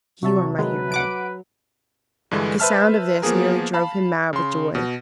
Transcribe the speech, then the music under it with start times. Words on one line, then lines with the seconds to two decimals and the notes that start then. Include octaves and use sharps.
"You are my hero." The sound of this nearly drove him mad with joy.
0.23 C3 F#3 E5 A5 C#6
0.58 D#3 F#3 G#3 B4
0.92 F#5 D6 D7
2.31 G2 D3 E3 G#3
2.60 B4 C5 E5 A5 F6
3.22 F3 A#3 B3 G#4 A#4
3.73 F5 A5 B5
4.33 C#3 C6
4.75 B2